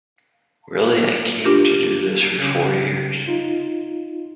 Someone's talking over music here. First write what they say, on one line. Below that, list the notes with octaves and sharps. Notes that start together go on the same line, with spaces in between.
Really, I came to do this for four years.
D4 F4 G4 A#4
C#3
D#4 F4